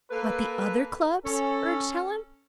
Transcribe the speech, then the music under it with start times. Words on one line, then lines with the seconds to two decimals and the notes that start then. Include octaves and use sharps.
"But the other clubs?" urged Helen.
0.10 A#3 A4 B4
1.24 C#4 A4